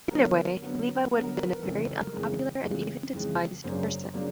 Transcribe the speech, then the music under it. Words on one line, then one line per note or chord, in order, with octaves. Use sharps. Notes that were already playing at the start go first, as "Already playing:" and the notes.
Either way, Levi would have been a very unpopular and even despised person.
D3 F#3 B3 A#4
D3 F#3 B3
D3 F#3 B3 A#4
A#4
B4
A#4
F2 C#3 E3 G#3 A4
A4
A#4
F2 C#3 E3 G#3
F2 C#3 E3 G#3
F2 C#3 E3 G#3
F#2 C#3 F#3 A#3 D4 C5
C#3 F#3 A#3 D4